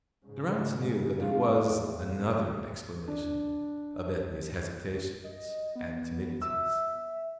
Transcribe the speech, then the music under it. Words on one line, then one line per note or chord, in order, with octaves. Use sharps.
Durrance knew that there was another explanation of Ethne's hesitations and timidities.
G#2 C#3
F2 F4
E2
E2
D4
D#5
B3
E5 E6